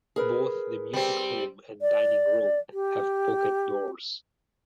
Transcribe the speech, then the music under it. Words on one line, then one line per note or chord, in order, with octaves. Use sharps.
Both the music room and dining room have pocket doors.
G#4 A#4 B4
G3 C4
D5
G4